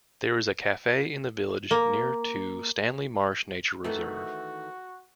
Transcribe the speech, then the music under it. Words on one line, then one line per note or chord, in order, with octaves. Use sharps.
There is a cafe in the village near to Stanley Marsh nature reserve.
A#3
D#3 E3 A3 F#4